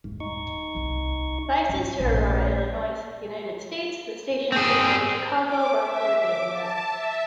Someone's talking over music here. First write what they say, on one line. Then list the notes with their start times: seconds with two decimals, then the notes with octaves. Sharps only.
Licensed to Aurora, Illinois, United States, the station serves the Chicago, Rockford area.
0.04 D#1 G#2
0.20 D#4 C#6
0.75 D1 C2
1.69 G#2 C#4
2.00 A#1 A3
4.52 C4 G#4
5.44 D6
5.79 E5
6.20 D6
6.50 A5
6.88 E5